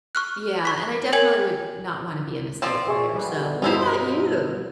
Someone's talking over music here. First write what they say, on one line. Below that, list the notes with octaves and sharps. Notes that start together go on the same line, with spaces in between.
Yeah, and I definitely would not wanna be an estate lawyer, so, what about you?
C#6 F6 F#6
C#6 B6
A#4 C#5 G5 G#5 G#6 F#7
F3 C4 D5
G#4 E5 C#6
B2 G3
A4
G2 D#4 E4 F#4 C5 E6 F7